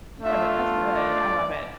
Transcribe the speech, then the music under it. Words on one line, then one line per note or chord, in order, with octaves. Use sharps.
Yeah, but that's good, I love it.
A3 D4 F4 E5
D5